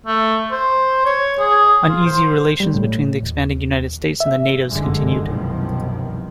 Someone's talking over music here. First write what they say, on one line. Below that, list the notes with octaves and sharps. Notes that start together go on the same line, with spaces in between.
Uneasy relations between the expanding United States and the natives continued.
A3
C5
C#5
G#4
F4
C5
G3
A2
D#2
E5
F#1 G2 D3 G#3
C2 F#2 B2 D#3 F3